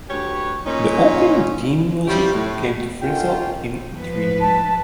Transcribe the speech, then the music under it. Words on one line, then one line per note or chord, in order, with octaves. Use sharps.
The opening theme music came to Frizzell in a dream.
D2 G4 B4 C#5
A#2 C#4 D#4
G3 C4 E4 F4 G4 C#5
A2
D3 D#3 C#4 F4 G5
F3 B4
A5